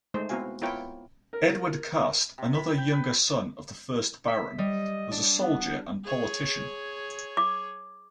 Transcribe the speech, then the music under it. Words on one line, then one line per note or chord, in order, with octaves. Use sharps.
Edward Cust, another younger son of the first Baron, was a soldier and politician.
G#3 A3 D#4 C5
B3 C4 E4 F#4 F5 G#5
B3 E4 F4 A#4 C#5 G5
A#4
C3
B5
G5
B4
E5
G3 D#5
D4
B3
G#4 C#5
D6